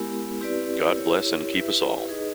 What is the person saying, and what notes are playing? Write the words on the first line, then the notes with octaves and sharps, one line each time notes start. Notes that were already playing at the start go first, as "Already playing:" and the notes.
God bless and keep us all!
Already playing: G#3 B3 E4 G4 A#4
C4 E4 G4 B4 D5
E4 G4 A#4 C#5
E4 G4 B4 E5
D#4 G#4 B4 D#5